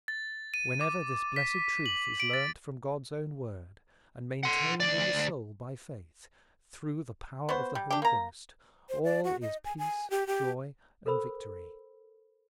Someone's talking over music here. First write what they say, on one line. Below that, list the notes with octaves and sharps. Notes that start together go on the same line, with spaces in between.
Whenever this blessed truth is learnt from God's own word, and maintained in the soul by faith, through the power of the Holy Ghost, all is peace, joy, and victory.
A6
D#7
D6
B6
F#7
D7
A6
F#5 C6
D2 D5
B3 F#4 C5
G3
D4 G4
A#3 A#5
C5
D5
F#4
D#5
G#5
G#5
G4
G4
A4 A#4 C5 B5 E6